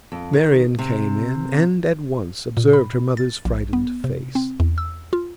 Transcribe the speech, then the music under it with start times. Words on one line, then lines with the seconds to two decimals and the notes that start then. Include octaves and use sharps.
Marian came in, and at once observed her mother's frightened face.
0.12 F2
0.33 D#3
0.79 C3
2.57 A#2
2.73 B5
3.17 A6
3.45 A#1
3.73 B3
4.04 C3
4.35 C4
4.60 E2
4.78 E6
5.13 F4